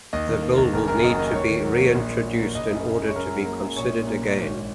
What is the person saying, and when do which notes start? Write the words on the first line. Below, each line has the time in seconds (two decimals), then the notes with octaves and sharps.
The bill will need to be re-introduced in order to be considered again.
0.13 D#2 D#5
0.27 D#3
0.43 A#3
0.58 D#2
0.73 F#1 A#4
0.88 F#2 A#4
1.03 F#3 D#5
1.18 A#3 D#5
1.34 D#2 C#5
1.49 D#3
1.65 F#3
1.79 A#3
1.95 A#1
2.10 A#2
2.25 F#3
2.40 A#3
2.55 F#1 D#5
2.71 F#2
2.86 C#3
3.01 G#3
3.07 C#5
3.16 F#2 A#4
3.30 F#3
3.46 A#3
3.61 F#2
3.76 A#1 C#5
3.92 A#2
4.07 A#3
4.22 A#1
4.37 G#1 C#5